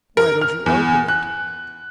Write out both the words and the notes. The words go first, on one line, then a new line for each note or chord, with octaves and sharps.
"Why don't you open it?"
A#4
F6
E2
F#6